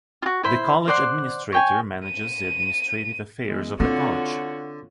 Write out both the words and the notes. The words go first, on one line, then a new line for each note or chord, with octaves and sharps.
The College Administrator manages the administrative affairs of the college.
F4 F#4
E4 C5 B5
C5 D5 F#5 C6
C#5 G5 G#5
D#7
E3 G#3 B3
D3 C4 F4 F#4 C#5